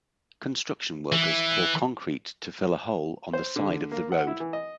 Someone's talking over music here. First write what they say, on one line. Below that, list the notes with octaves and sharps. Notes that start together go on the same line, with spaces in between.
Construction workers pour concrete to fill a hole on the side of the road.
E3
C5
D3
A#3
F#5
E4
E3
D#5